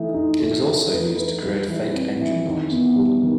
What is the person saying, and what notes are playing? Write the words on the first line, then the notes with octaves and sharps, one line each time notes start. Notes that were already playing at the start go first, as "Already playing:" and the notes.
It is also used to create fake engine noise.
Already playing: E3 A3 D#4
D#4
A3
A3
B4
B4
G3
E3
C4
E3
D#3
B3
G3
D#3